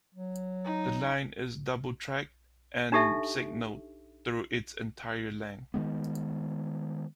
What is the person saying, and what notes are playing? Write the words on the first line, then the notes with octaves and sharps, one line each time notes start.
The line is double-track and signaled through its entire length.
F#3
D#4
D4 D#4 G4 A4 E5
D#3 E3 G#3 B3